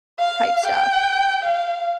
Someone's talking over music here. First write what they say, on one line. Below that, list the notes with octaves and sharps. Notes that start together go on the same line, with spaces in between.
type stuff.
F5
G5
F5